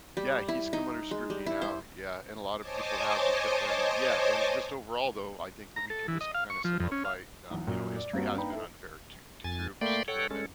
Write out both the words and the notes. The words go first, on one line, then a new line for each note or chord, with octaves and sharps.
Yeah. He's come under scrutiny now. Yeah, and a lotta people have becau and yeah, and just overall, though, I think that we can just k kinda sum up by, um you know, history has been unfair to to groups, to women,
G3
E4
D#4
G#3
G3
E4
C5
C5 C#5 D#5 G#5 A5 D6
A#5
A4
E3
D#5
F5
C#6
F3
F2
C#4
F5
B1 E2
F#2 A#2 F#3
D5
G2 A#3 C4 F#4
A#3 D4 D#4 B4 G5 B5
E4 A4
F2 G#5 A6
A3 A#3 D5 G5 B5 C6
A4 C#5 F#5 G5
G#3 C#4 A4